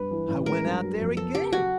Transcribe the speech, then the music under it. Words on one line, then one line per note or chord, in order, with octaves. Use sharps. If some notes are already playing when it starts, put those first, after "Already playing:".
I went out there again.
Already playing: G2 B4
E3
A1
G#3 A#4
G2
F#3
F2
B3 A4
C#3 G4
F#3 F#4